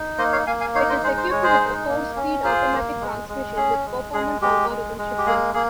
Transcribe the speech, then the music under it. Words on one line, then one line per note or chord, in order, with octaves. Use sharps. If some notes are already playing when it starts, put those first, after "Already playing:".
It is equipped with a four-speed automatic transmission with performance algorithm shifting.
Already playing: D#4
A#3 C5 D#5
C#5 F5
A#3 F5 G#5
F5 G#5
D#4 C#5 F5
C5 D#5
G#3 G#4 C5
C5
G#3 C#5
G#4 C5
D#4
A#3
C#4
F4 G#4 C5
A#3
G#3
G#3
C#4 G#4
G#3
G#3 G#4
G#3 G4
G#3
G#3
G4
A#3 G#4
A#3 G#4